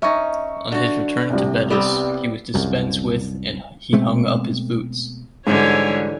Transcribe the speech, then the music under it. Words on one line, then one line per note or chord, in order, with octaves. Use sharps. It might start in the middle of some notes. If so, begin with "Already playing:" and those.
On his return to Betis, he was dispensed with and he hung up his boots.
C#4 D#4 E5 C#6
D3 F#4
C2 C3
G3 B3 C4
C2 F#2
B2 G#3 A3 C4
G#2 D3 E3 G3 C#5 G#5